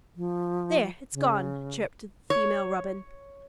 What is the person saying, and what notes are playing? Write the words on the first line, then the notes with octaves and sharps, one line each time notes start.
"There, it's gone!" chirped the female robin.
F3
C#3
C#5